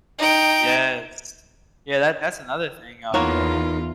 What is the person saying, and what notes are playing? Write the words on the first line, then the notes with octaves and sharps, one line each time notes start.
Yes, yeah, that that's another thing, uh,
D#4 G5
E2 A#3 B3 D#4 F4 A#4 C#5